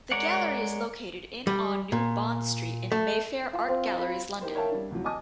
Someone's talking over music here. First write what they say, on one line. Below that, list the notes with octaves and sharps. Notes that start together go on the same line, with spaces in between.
The gallery is located in on New Bond Street in Mayfair, art galleries london.
G#3 A#4 C#5 D5 F#5
G3
A#2
A3
F4
C4
B5
D#4 G4 A#4 C5
A#4 C#5 E5 F5 G5 A5
G3 D4
D2 C3 F3 F#3
D#5 G#5 A5 D#6